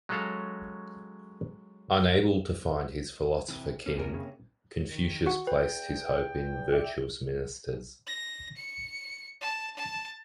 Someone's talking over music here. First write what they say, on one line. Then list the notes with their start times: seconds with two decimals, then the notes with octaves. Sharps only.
Unable to find his philosopher king, Confucius placed his hope in virtuous ministers.
0.09 F#3 G#3 C#4 A4 F5 A#5
3.48 C3 E3
3.86 C3 A#3 C#4
3.98 E2 A#4
4.14 C#3
4.90 D#3
5.26 F#4 F#5
5.47 E2 B4 G5
6.72 D5 E5 G5
8.07 A#6
8.57 C#7
9.41 A5
9.76 A5